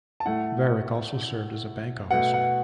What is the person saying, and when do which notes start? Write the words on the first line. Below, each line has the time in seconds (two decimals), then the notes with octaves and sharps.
Varick also served as a bank officer.
0.20 A5
0.26 A2 A3 F#5
2.11 B2 A3 F#5
2.34 F#5